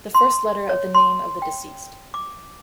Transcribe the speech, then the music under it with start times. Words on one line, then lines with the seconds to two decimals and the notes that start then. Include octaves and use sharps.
The first letter of the name of the deceased.
0.15 C6
0.69 C#5
0.95 C6
1.42 G5
2.14 D6